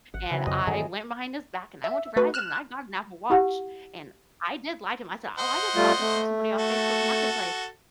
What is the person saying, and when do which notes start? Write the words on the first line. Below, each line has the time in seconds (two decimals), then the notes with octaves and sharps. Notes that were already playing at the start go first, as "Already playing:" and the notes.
and I went behind his back and I went to Verizon and I got an Apple Watch, and I did lie to him. I said, "Oh, I just bought this from somebody off Facebook Marketplace."
0.14 G#1 F#5
0.31 C#3 E3 F#3 C4 E4
0.46 F2 D#5
0.67 G2 D#3 E3 G3 G#3 A4
1.84 E5
2.16 A3 F#4 B4
2.34 F6 F#6 E7
3.30 E4 G4 F#5
5.38 C5 D#5 F#5
5.76 G3 A3 F4
6.00 A3
6.58 F#4 A4